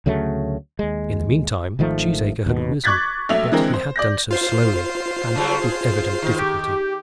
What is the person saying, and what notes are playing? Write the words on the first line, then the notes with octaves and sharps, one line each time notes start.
In the meantime Cheesacre had risen; but he had done so slowly, and with evident difficulty.
D2 C#3 F#3 A3
D#2 G#3
G#1 D#3 F3 A3
D#2 B2
C#6 D6 F#6 G#6 A6 B6
A#1 F#3 A3 E5 F7
D3 E3 G#3 C4 A#4
C5
D5 G6 A#6
F4 C5 C7
C#3 F#3 G3
G#4
D#3
G4